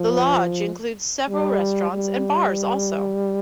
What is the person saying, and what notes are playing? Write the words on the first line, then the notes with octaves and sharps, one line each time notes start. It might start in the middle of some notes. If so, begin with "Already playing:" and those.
The Lodge includes several restaurants and bars also.
Already playing: F3
G3
G3